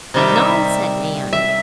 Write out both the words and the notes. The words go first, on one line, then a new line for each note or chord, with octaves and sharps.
"No," said Nan.
C3 D#3 G3 E5
E5
E5